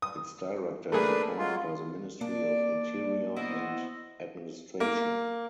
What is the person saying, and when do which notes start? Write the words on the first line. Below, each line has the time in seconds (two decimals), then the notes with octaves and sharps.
Its director is appointed by the Ministry of Interior and Administration.
0.02 D#6
0.92 A3 A#3 D4 G#4 B4
1.38 F#3 G#3 F4
2.21 A#3 D4 D5
3.36 B3 E4 F#4 C5 D#5
4.80 A#3